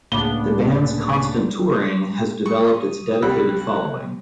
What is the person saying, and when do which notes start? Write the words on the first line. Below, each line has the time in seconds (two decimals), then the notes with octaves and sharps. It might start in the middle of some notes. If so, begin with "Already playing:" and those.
The band's constant touring has developed its dedicated following.
0.12 C#2 A2 C#3 A#3 B3 D4 G7
2.46 C#6 D#6
3.22 C2 G3 G4 B5 F#6